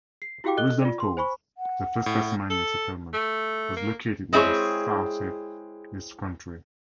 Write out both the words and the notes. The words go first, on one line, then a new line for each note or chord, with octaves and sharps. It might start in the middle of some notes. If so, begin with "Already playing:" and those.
Risdon Cove, the first Tasmanian settlement, was located in south-east country.
C7
E4 F#4 G4 F5 G5 D6
A4 D#5 F#6 G7
F4 D5
C6
C5 G#5 B5 C#6
F#5
A2
A4
A3
A#3
G#3 C4 E4 G#4 C#5